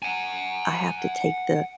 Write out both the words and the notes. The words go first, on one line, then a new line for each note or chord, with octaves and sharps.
I have to take the
F#5 G#5